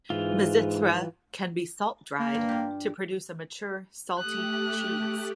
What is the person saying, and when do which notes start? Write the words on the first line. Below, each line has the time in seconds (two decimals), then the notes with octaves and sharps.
Mizithra can be salt-dried to produce a mature salty cheese.
0.10 G#2 E3 F4
2.20 A#3
2.34 G2
2.49 F4 G4
4.18 A3 G4 D#6 F#6